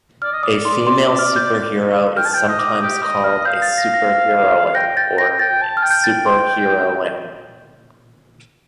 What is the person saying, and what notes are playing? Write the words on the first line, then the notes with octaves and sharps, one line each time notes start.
A female superhero is sometimes called a superheroine or super heroine.
D5 F6
D#5
D5 D#6
C6
C6
D6
F6
G6
G5 F6
A5
G5 G6
D#5
D6
G4 D#6
D#5 D#6
D#5 F6
F5 G6
A6
A#6
A#6
F5
G5 A#6
G5 A6
G5 A#6
G5 A6
A5
F6
G5
G6
A6
C6